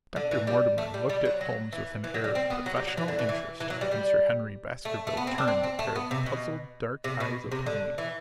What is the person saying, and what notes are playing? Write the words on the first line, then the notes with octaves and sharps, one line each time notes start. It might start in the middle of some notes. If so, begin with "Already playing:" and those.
Dr. Mortimer looked at Holmes with an air of professional interest, and Sir Henry Baskerville turned a pair of puzzled dark eyes upon me.
D3
E3
G3
A3
G3
G3
F#3
F#3
E3
E3
F#3
G3
C4
B3
F#3
G3
F#3
E3
D3
E3
E3
E3
F#3
G3
G3
A3
A3
B3
C4
D4
C4
C4
A3
B3
C3
B2
C3
B2
C3
D3
E3